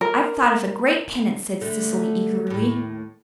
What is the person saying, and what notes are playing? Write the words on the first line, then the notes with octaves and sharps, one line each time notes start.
"I've thought of a great penance," said Cecily eagerly.
A#4
D3 A3
D#2 A2